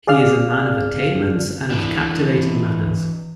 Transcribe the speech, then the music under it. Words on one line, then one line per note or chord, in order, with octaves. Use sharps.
He is a man of attainments and of captivating manners.
G#4 D5 F5 F6
E3 D4